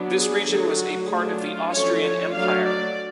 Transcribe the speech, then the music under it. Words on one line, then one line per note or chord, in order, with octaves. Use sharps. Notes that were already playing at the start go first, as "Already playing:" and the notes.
This region was a part of the Austrian Empire.
Already playing: F#3 B3 D4
G#4
D3 F#3 A3
F#4
F#3 A3 D4 G#4
F4
F3 A3 C#4 C#5
C#5
F#3 A3 D4 F5
D5